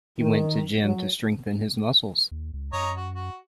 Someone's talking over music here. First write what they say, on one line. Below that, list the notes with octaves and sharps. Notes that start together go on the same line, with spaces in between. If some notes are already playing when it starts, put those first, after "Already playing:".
He went to gym to strengthen his muscles.
D#3
F#3
D#2
C#2
F#2 C#5 D#5 A#5
F#4
F#4